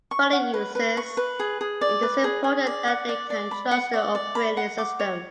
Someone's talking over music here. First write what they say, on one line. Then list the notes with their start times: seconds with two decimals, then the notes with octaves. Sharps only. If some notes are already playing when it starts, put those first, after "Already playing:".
For the users, it is important that they can trust their operating system.
0.11 C#6
0.33 F#5
0.54 B4
0.75 B4
0.97 C#6
1.17 B4
1.40 G#4
1.61 G#4
1.81 D5
2.03 B4
2.24 G#4
2.44 G#4
2.67 D5
2.88 F#5
3.09 D5
3.30 D5
3.51 B5
3.71 F#5
3.93 D5
4.15 D5
4.35 B5
4.57 F#5
4.78 D6
5.00 C#5